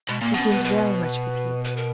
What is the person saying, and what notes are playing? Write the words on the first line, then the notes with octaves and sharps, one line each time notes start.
He seemed very much fatigued.
B2 G#3
A#2 A#3
B2 C#4
B4
B4
B4
A#4